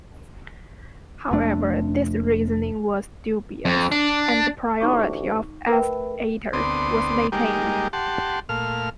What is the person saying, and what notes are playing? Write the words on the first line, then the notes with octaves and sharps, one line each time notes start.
However, this reasoning was dubious and the priority of "S. ater" was maintained.
F1 F2 A3 D4
F2
D4
A1 D2 D#4 C#6 D6
A3 A#4 B4 G5
D2 B3 C4 D5 C6 D#6
G3 G#3 A#3 D#4 G4
G4 F#5 A5 C6
A#2 A3 F5 F6